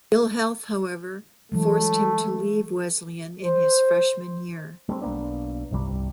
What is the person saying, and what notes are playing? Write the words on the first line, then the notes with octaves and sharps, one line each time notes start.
Ill health, however, forced him to leave Wesleyan in his freshman year.
E3 F#3 G#3 A3
C5
G3 A3 B3 C4
B1 A#3 B3 D4
G1 C2 C3 G3